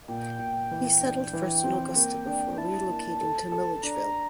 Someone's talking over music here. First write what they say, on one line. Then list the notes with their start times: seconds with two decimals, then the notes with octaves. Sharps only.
He settled first in Augusta before relocating to Milledgeville.
0.08 A#2 G5
0.39 A#2
0.71 E3
1.01 D4
1.33 E3
1.64 C4
1.96 A#3
2.27 D4
2.58 E4 A5
2.89 A#3
3.21 A4
3.52 A4
3.83 D4 A#5